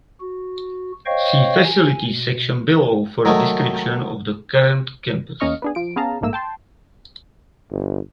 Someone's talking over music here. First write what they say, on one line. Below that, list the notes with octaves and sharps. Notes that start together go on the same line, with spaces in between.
See "facilities" section below for a description of the current campus.
F#4
C5 C#5 D#5 F5 G5 C#6
G#5
B2
D#3 F#3 G#3 A3
E2 A#3 C#4 D#5 C#6 F6
B3 D4 G#4
F3 D7
B3 C#4 G#4 F5 A5 A#5
A#1 G#2 A3 A#3 E6
G5 A5 C6
G1